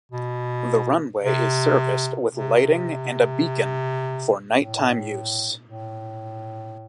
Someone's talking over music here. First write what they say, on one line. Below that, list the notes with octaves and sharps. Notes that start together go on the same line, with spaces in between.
The runway is serviced with lighting and a beacon for night-time use.
B2
C3
C3
A2
A2